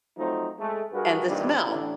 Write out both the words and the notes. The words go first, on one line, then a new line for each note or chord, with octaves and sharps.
And the smell.
F3 F#3 A3 C4 D#4
G#3 A3
G2 F#4 G#4 A#4 B4
A#1 G2 C3 D#3 E3 G3
A1 D4 E4